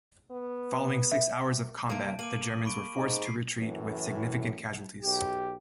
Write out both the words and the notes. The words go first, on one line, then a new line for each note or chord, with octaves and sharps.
Following six hours of combat, the Germans were forced to retreat with significant casualties.
B3
E5
C3 A#3 A5 D7
A#3 D6 D#7 F#7
B5 C#6 D7
G#2
B6 C7
F#2 A2 E3
B1 G4